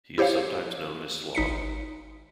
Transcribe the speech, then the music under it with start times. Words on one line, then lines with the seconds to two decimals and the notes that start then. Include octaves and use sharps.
He is sometimes known as Slog.
0.18 E4 G4 C5 C#5 F5
1.35 G#1 D#4 B6 C#7